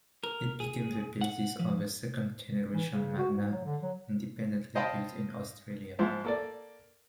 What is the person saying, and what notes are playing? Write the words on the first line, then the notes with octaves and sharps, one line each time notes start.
It became the basis of the second generation Magna independently built in Australia.
A#4
G#4
F#5
F3
E3
C#3
F#4
G#2
F#3
D3
F#3
C5 D#5 F5 G5 A5 B5
G#2 F3 C5 E5
A#3 A4 D5